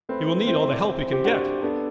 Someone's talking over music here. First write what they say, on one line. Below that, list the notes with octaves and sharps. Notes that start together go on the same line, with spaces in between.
He will need all the help he can get!
A3 C4 B4
C4 E4 C5
C5
D5
C5
G4
D4 F#4
B3 D4 A4